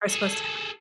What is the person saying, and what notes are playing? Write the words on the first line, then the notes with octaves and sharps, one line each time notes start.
are supposed to
G#4 A4